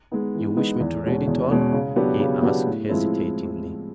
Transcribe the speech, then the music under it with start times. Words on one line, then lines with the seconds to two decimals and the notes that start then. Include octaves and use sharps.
"You wish me to read it all?" he asked hesitatingly.
0.11 G#3 B3 D#4
0.35 E3
0.57 G#3 B3 D#4
0.80 E2
1.03 B2 G#3 C#4
1.27 E2
1.50 B2 G#3 C#4
1.73 C#3
1.96 F#3 B3 D4 G4
2.20 C#3
2.43 F#3 B3 D4 G4
2.66 A2
2.89 F3 G#3 C4 E4